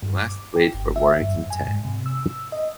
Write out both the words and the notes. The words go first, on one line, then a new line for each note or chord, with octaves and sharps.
He last played for Warrington Town.
G2
D6
G5
G1
E5
G2
F#2
G#5
G#2
C3
E6
D#5